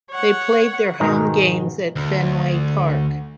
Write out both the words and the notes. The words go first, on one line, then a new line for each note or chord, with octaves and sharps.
They played their home games at Fenway Park.
C#5 F#5
G#2 B2 D#3 C5 A#5
D2